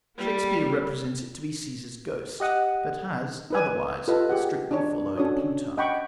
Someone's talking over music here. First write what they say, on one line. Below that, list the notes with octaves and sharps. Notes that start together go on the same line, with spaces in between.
Shakespeare represents it to be Caesar's ghost, but has otherwise strictly followed Plutarch.
G3 A#3
G4 D#5 F#5 D#6
D#4 B4 G#5
F4 G4 A4 B4 D#5
G4 G#4 F#5
D4 D#4 C#5
C#4 D4 F#4 A4 C#5 D#6
D#5 F#5 G5 B5 C#6 D6